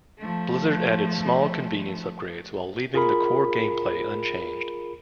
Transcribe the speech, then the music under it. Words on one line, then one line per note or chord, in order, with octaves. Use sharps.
Blizzard added small convenience upgrades while leaving the core gameplay unchanged.
F3 A3
F4 G#4 A#4 B5